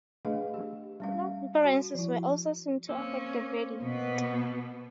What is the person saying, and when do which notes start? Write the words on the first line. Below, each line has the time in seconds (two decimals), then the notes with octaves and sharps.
Class differences were also seen to affect the verdict.
0.25 A3 D4 G#4 B4 D#5 F5
0.54 G4
1.00 G3 C#4 F5
1.65 F#4
1.95 F3 E4
2.89 A#3 C4 C#4
3.82 B2 B3